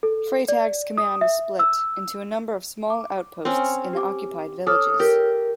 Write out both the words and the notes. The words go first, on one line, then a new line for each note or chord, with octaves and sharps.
Freytag's command was split into a number of small outposts in the occupied villages.
A4
D5
D#6
E5
E6
D6
C4 C#4
G4 D6
A4 C#5 D6 D#6 F6
G4 A#4